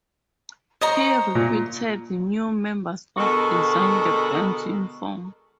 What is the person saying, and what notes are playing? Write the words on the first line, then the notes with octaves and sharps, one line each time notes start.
He recruited new members and designed the band's uniform.
C5 C#5 D#5 A#5
A#2
B2 D3 G#3 F#4 A4 A#4